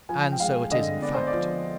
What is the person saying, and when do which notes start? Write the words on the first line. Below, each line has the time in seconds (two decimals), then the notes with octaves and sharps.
And so it is in fact.
0.09 F3 G#5
0.32 G5
0.40 G#3 F5
0.71 D3 D#5
1.02 B3 D5
1.14 C5
1.27 D5
1.33 F3